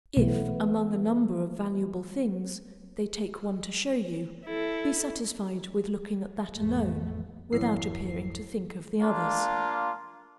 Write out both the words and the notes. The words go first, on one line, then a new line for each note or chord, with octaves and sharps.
If, among a number of valuable things, they take one to show you, be satisfied with looking at that alone, without appearing to think of the others.
B1 E3 A3 B3
E4 A4
A1 F2 A3
G#1 F2 E4 C#5 C7
A#3 D4 F4